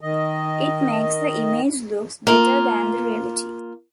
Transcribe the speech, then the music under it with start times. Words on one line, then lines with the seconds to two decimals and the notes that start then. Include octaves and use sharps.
It makes the image looks better than the reality.
0.01 D#3 D#5
2.27 A#3 F4